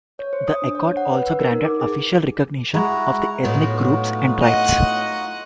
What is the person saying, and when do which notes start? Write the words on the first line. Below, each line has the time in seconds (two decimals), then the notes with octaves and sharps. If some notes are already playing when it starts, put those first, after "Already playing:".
The accord also granted official recognition of the ethnic groups and tribes.
0.19 C#5
0.33 C5
0.48 D#6
0.62 D4
0.75 C#5
0.97 F#5
1.12 B4
1.27 E6
1.40 A#4
1.51 D#4
1.65 D6
1.80 G#4
2.74 G#3 E4 F#4 A#5
3.45 A2 F#3 B3 D#4 F4 F#4
4.42 D#5 F#5